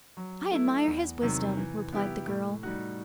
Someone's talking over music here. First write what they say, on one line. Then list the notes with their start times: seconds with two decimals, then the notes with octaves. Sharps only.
"I admire his wisdom," replied the girl.
0.17 F#3
0.51 A3 E4
0.87 E2
1.22 C3 D#3 F#3
1.57 E3
1.92 B3 E4 G4
2.27 A2
2.63 G3 D#4 F#4